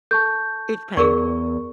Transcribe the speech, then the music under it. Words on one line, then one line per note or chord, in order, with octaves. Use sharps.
it's painful.
A4 A5 C#6 G6
E2 G#4 A#4 D5 C#6